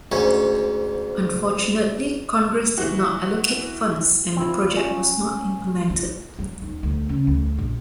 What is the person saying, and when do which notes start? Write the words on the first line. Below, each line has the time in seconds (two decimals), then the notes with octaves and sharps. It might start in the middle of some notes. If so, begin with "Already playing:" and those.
Unfortunately, Congress did not allocate funds and the project was not implemented.
0.12 D2 G#2 C#4
2.78 E3 F#4
4.36 C4 E4 F4
4.77 C#4
5.90 F4
6.39 F#3
6.62 D#2
6.83 D2
7.09 C#3
7.27 D2
7.58 A#1